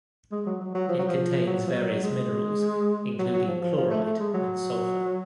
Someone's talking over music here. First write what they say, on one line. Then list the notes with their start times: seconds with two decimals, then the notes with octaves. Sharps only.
It contains various minerals including chloride and sulphur.
0.32 G#3
0.46 F#3
0.61 F#3
0.75 F#3
0.89 F3
0.99 F#3
1.08 F3
1.47 F#3
1.67 F3
1.75 F#3
2.04 G#3
3.19 F#3
3.33 F#3
3.47 F3
3.62 F3
3.77 F3
3.90 A3
4.05 A3
4.20 G#3
4.34 F#3